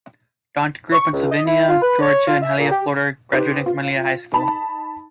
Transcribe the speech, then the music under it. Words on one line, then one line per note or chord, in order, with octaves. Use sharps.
Dent grew up in Sylvania, Georgia, and Hialeah, Florida, graduating from Hialeah High School.
C#6
C#2
D#5
E4
F4
B4
C#5
F4
E5
A#2
G4
D#4 G4 B4 C5
F4
D#4 A5 B5